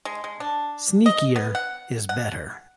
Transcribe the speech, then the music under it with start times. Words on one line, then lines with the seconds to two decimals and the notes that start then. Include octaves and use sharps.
Sneakier is better.
0.05 G#3
0.24 G#3
0.40 D4
1.06 D#5
1.36 B3
1.55 F#5
2.09 F#5